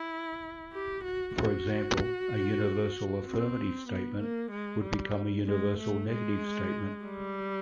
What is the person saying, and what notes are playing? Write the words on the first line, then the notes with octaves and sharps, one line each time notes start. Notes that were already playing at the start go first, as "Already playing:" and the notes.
For example, a universal affirmative statement would become a universal negative statement.
Already playing: E4
G4
F#4
F#4
C4
B3
A#3
G#3
G3
G#3
A3
G#3
G3